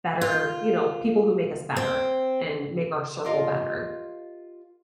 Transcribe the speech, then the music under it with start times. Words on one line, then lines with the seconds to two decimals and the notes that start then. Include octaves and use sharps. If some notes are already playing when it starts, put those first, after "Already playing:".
better you know, people who make us better, and make our circle better,
0.21 F4
1.76 C4
3.24 F4 G4 A#4 D#5 F5